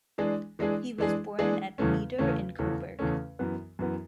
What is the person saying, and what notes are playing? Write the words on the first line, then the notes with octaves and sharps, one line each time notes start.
He was born at Meeder in Coburg.
E3 G#3 D4 G#4
E3 G#3 D4 G#4
E3 G#3 D4 G#4
E3 G#3 D4 G#4
E2 C#3 E3 A3 C#4
E2 C#3 E3 A3 C#4
E2 C#3 E3 A3 C#4
E2 C#3 E3 A3 C#4
F#2 E3 B3
F#2 E3 B3